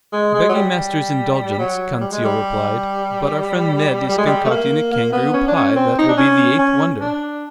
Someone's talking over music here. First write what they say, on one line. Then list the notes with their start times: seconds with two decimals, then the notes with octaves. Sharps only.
"Begging master's indulgence," Conseil replied, "but our friend Ned is concocting a kangaroo pie that will be the eighth wonder!"
0.13 G#3
0.34 G#3
0.49 F#3
0.54 G3
1.59 F#3
2.00 G3
2.12 G#3
2.25 G3
4.09 G3
4.18 G#3
4.27 G3
4.45 A3
4.50 A#3
4.93 A#3
5.12 B3
5.34 C#4
5.48 D4
5.55 C#4
5.76 C4
5.99 D#4
6.08 D4
6.17 C#4
6.59 C#4
7.01 D4